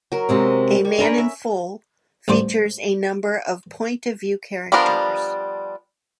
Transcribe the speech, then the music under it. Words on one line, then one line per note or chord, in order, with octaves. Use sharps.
"A Man In Full" features a number of point-of-view characters.
F#3 A#4
C3 G#3 C4
G3 C#6
C#4 D4 A#4 B4
E5
A1 G2 C5 D5
F3 G3 B3 D4 A#4